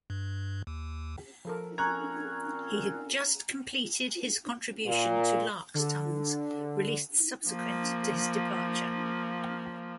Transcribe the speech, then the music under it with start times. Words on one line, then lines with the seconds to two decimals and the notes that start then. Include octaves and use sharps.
He had just completed his contribution to "Larks' Tongues", released subsequent to his departure.
0.10 G2
0.67 D#2
1.45 F3 A4 A#4
1.78 A#2 C4 C#4 A#5 C#6 F#6 G#6
4.86 A#2
5.74 D3
7.48 F3 A#3